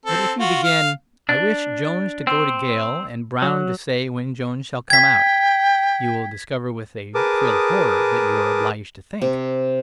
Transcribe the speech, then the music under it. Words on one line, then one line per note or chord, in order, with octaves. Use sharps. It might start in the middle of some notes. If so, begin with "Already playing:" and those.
But if you begin "I wish Jones to go to gaol and Brown to say when Jones shall come out," you will discover, with a thrill of horror, that you are obliged to think.
C4 A4
F4 F#4
F5
D4
C4
F#3
G5 G#6 B6
G#4 A#4 B4 A5 D6 D#6
C3